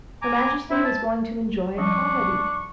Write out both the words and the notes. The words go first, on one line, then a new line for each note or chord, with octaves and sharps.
Her Majesty was going to enjoy a comedy.
G#5 A#5 D6
C4 E4 E5
A5
F3 G3 C#4 D4 C#6